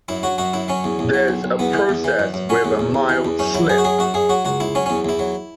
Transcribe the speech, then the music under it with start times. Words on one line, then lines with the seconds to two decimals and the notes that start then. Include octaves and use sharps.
There's a process with a mild slip.
0.09 F#2 E4
0.23 F#3 F#4
0.38 F#2 F#4
0.53 F#2 E4
0.68 F#3 C#4
0.84 E2
0.99 E2
1.14 F#3
1.28 B1
1.44 B1
1.59 E2 B3
1.73 E3
1.89 E2
2.04 E3
2.19 F#2
2.34 F#2
2.49 F#3 C#4
2.65 E2
2.79 E2
2.94 E2
3.09 E3
3.25 E2
3.39 F#2 C#4
3.54 F#3 E4
3.69 F#2 G#4
3.78 F#4
3.84 F#3 G#4
3.99 F#2 F#4
4.14 F#2 G#4
4.29 F#3 F#4
4.45 C#2 F#4
4.60 C#2 E4
4.75 F#3 C#4
4.86 E2 C#4
5.05 E2 E4
5.19 F#3